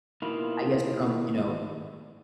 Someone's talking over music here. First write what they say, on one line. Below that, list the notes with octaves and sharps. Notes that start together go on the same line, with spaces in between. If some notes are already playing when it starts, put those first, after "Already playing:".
I guess Trump, you know,
B2 D#3 A#3 E4 F4